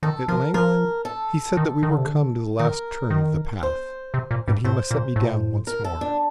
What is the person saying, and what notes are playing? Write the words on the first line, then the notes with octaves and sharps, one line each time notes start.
At length he said that we were come to the last turn of the path, and he must set me down once more.
D#3 A4
F3 A#4
F3 A#4
A4
D#3
D#3
D3
C3
D3
D#3 A#4
D#3
C5
C3
A#2
G2
A2 C5
A#2
A2
A#2
A2
A#4
A4
D4